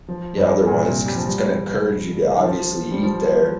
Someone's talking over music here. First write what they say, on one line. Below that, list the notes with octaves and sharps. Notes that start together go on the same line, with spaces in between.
Yeah, otherwise, 'cause it's gonna encourage you to obviously eat there,
F3
G2
A#2
C3
G3
F3
G3
D#3
F3
G3
F3